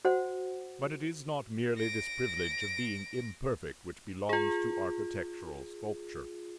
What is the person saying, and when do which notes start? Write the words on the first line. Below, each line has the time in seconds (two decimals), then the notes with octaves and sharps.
But it is not merely this privilege of being imperfect which belongs to architectural sculpture.
0.05 F#4 C5 F#5
1.78 A#6 D7
4.29 F4 G#4